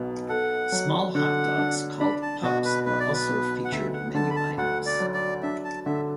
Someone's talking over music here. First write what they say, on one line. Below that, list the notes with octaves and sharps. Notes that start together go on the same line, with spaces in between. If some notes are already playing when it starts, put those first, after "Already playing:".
Small hot dogs called "pups" are also featured menu items.
Already playing: B1 B2 B3
A4 F#5
F#3
D3 F#5
D4
D4 B5
A5
B2 F#4
B4
B1 B4
D5
B4
B3
F#5
D2 E5
F#5
D3 A5
B5
A5
D2 F#5
D5
F#3
D5
D4 E5
A5
D3 E5